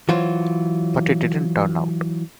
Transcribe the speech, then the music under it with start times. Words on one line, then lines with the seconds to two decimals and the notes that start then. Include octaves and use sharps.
But it didn't turn out.
0.09 E3 F#3 F4 C5